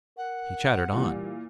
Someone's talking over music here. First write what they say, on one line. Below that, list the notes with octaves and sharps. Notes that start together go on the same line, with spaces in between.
He chattered on.
A#4 F#5
A#2 E3 G3